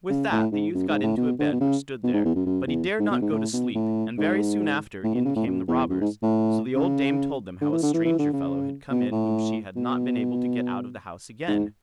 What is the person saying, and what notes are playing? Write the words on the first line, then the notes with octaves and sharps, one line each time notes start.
With that the youth got into a bed which stood there, but he dared not go to sleep, and very soon after in came the robbers; so the old dame told them how a stranger fellow had come in whom she had not been able to get out of the house again.
C#3
A2
G#2
F#2
G#2
A2
B2
D3
B2
C#3
B2
G#2
E2
F#2
F#2
E2
G#2
B2
G#2
A2
B2
A2
G#2
A2
B2
C#3
A2
F#2
E2
F#2
G#2
A2
C#3
D3
E3
D3
E3
E3
D3
C#3
B2
A2
B2
G#2